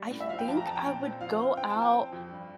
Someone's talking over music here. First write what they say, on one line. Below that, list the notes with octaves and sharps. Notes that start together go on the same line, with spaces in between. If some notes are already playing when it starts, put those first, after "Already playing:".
I think I would go out
Already playing: G3
A2
E5
F3 F5
G5
F2 A5
A#5
F2 A5
G5
A#2
C4
F3 F5
C4
C4 G5
A5
F3
G5
C4
F2
G2